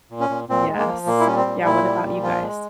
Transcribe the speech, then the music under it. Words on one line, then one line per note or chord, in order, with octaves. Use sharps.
Yes. Yeah. What about you guys?
A#2
C#4
A#2
A#2 C4
G#3
A#3
F3
A#2 A#3
E4
G3 C#4
C4
A#2
A#2 E4
G3
A#2
F3 F4
G#3